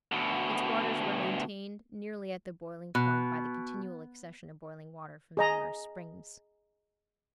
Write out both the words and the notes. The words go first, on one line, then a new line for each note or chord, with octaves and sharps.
Its waters were maintained nearly at the boiling point by the continual accession of boiling water from numerous springs.
D2 B2
B2
G#4 D#5 A#5